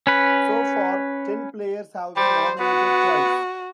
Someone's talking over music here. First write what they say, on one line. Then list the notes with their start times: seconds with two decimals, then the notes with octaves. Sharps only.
So far ten players have been nominated twice.
0.07 C#4 B4
2.17 G3 C5
2.60 B3 F#4